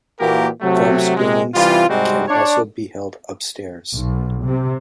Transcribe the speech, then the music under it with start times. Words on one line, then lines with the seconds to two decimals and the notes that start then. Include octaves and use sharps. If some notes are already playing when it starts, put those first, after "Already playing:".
Film screenings can also be held upstairs.
0.19 A#2 E3 A#3 F#4 G4 A#4
0.61 C3 F#3 A3
1.17 C3 G#3
1.54 C3 E3 G3 F4
1.89 G#2 C3 G3 G#3 C4 F#4
2.28 D4 C#5
3.93 B1
4.43 C3